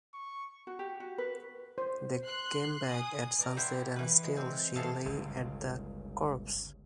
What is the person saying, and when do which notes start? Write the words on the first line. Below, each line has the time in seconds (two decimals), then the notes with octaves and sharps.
They came back at sunset and still she lay at the corpse.
0.14 C#6
0.67 F#4
0.79 G4
1.00 F#4
1.18 B4
1.78 C5
2.24 C6 F#6 C7
2.89 G#5 D#6
3.38 B2 D5 A#5
3.57 E4 G4 C5 F#5
3.96 E3 B4
4.23 G#3
4.37 C4
4.76 E3 C4 G#4 A4 F5
5.05 G1 C#2 C#3